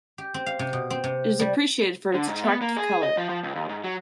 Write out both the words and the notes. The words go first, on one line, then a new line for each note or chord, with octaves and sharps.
It is appreciated for its attractive color.
G4
C4
F5
C3
B2
C4
C3
G3
D3
G#2
B3
A#3
G#4
D#5
F3
F3
C#2
D#2
G#2
F#3